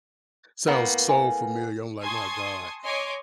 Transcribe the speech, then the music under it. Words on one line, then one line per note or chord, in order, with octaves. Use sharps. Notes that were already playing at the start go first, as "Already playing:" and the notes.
sounds so familiar. I'm, like, "My god,
A2 A#3 B3
G#5
G#5 A5 C6 C#6 D#6 G#6
C#5 D#5 G#5 C6 D6